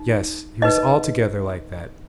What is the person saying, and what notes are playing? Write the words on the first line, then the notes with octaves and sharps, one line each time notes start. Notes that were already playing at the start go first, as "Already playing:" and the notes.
Yes, he was altogether like that.
Already playing: D#4
D#4 B4 D#5